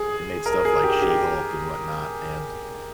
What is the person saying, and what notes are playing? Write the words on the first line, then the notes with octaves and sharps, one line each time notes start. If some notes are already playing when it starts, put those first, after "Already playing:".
they made stuff like She-Hulk and whatnot, and
Already playing: G#4
A#4
G#4
G4
G4